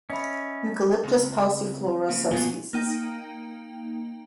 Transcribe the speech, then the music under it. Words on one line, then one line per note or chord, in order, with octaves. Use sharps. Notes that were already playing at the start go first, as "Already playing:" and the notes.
Eucalyptus pauciflora subsp.
C#4 D#5 E5 B5
C#2 F3 C4
C#3 A#3 F4 F5
D2 B2 F3 G#4
A#3 D#4 G5